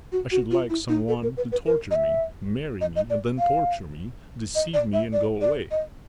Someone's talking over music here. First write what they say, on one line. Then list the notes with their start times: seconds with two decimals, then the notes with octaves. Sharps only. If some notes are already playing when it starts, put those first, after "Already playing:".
I should like some one to torture me, marry me and then torture me, deceive me and go away.
0.12 F#4
0.31 F#4
0.51 F4
0.70 E4
0.89 D#4
1.08 A4
1.23 A#4
1.37 B4
1.52 B4
1.66 A#4
1.91 D#5
1.96 E5
2.81 D#5
2.96 D#5
3.10 D5
3.39 F5
4.55 D#5
4.74 D5
4.93 E5
5.13 D5
5.41 D5
5.71 D#5